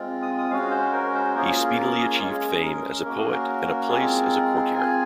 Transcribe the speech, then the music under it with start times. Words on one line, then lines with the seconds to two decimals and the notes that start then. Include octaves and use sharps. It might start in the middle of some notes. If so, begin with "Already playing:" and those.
He speedily achieved fame as a poet and a place as a courtier.
Already playing: G#3 C4 F4
0.22 D#6
0.38 D#6
0.50 G#3 C#4 F#4 F5
0.71 C5
0.92 A#4
1.14 C5
1.34 A#3 C#4 F4 G#4 A#4
1.56 G#4
1.77 A#4
1.98 G#4
2.19 G#3 C#4 G#4
2.62 A#4
3.05 A#3 C#4 F#4 A#4
3.17 G#4
3.30 A#4
3.89 G#3 C4 F4 G#4
4.73 C4 F4 G#4 G#5